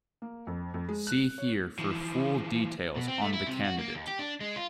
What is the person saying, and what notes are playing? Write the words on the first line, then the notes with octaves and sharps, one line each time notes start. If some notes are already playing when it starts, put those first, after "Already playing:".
See here for full details on the candidate.
A#3
F2
F2
G#3
F#6
C#5
E3 F3
B2
C4
A3
E4
C3
F#4
A#3
D#2
G4
D4
G#3
F4